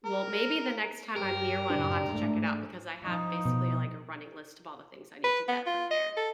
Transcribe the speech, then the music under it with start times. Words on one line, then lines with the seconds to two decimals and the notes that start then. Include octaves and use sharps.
Well, maybe the next time I'm near one, I'll have to check it out, because I have, basically, like, a running list of all the things I need to get from there.
0.06 A#4
1.16 G2 G4 A#4
1.70 F#2 A2 C#3 D4
2.07 A1 G#2 A3
3.01 F3 D#4
3.45 B2
5.24 B4
5.48 B3
5.66 F4
5.91 D#5
6.17 A4